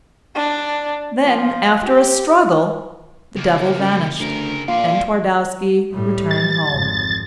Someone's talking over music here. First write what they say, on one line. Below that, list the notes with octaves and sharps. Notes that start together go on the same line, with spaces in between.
Then after a struggle the devil vanished and Twardowski returned home.
D4
F3
G4
C#2 A#3
F#2
D2 C#3 A#4
A#2 G#4 D5 F5 C6
A2 G3
A6
G#1 F2